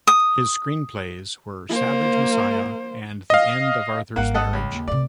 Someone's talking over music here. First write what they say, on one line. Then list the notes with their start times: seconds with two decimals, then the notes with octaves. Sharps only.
His screenplays were "Savage Messiah" and "The End of Arthur's Marriage".
0.07 D#6
1.69 A#3 C5
3.30 D#5 F5
4.16 G#1 G3 A#3 F#5
4.34 A4 D#5 F#5
4.53 C#2
4.72 D#2
4.88 C3 A3 D5